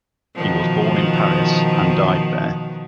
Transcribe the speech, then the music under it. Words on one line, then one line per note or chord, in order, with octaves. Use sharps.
He was born in Paris, and died there.
B2 D#3 F3